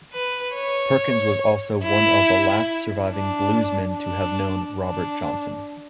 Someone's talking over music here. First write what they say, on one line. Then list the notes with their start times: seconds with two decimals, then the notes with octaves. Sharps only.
Perkins was also one of the last surviving bluesmen to have known Robert Johnson.
0.13 B4
0.55 C#5
1.83 E4
3.12 D4
3.98 D4
4.84 D4